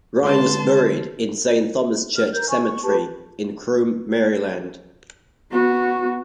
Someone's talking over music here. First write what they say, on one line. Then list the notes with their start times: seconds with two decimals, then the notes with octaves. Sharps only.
Ryan was buried in Saint Thomas Church Cemetery in Croom, Maryland.
0.23 D3 G#3 B4 A5 C6
2.16 F6
2.33 A#4 G6
2.50 G#5 C#6
2.65 C#6
2.84 G4 B4 A5
5.51 B3 F#4